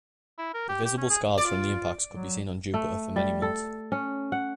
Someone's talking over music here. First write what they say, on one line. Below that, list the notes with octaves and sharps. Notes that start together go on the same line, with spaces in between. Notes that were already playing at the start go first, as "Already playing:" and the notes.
The visible scars from the impacts could be seen on Jupiter for many months.
E4
A#4
G4
G4
C#4
G#4
F4 D5
F#3
A3
G3
A4
C#4
F#5